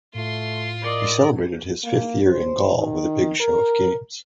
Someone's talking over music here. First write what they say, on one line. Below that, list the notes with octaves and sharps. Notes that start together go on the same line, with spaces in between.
He celebrated his fifth year in Gaul with a big show of games.
A2 A3 F4 C6
A#4 D5 D#5
A#3
C5
D#3
A#4